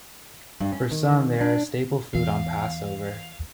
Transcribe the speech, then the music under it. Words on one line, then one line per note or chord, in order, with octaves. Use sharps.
For some they are a staple food on Passover.
G2
C#4
D#3
D4
E2 F5